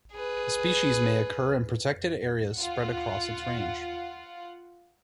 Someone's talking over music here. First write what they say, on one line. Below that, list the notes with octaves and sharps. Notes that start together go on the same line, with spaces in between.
The species may occur in protected areas spread across its range.
G#4 B4
F4 F#5